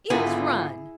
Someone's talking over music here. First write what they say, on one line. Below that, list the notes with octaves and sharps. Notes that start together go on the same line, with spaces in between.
"Eels run!"
G#1 D3 B3 E4 F4 G#4 G#5